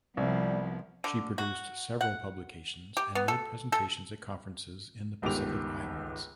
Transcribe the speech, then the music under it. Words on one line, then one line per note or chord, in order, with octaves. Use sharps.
She produced several publications and made presentations at conferences in the Pacific Islands.
C2 F3 G3 B3
D3
F#4
F#5
G4
B3
A4
A4
G1 C#2 D#3 G4 D6 F7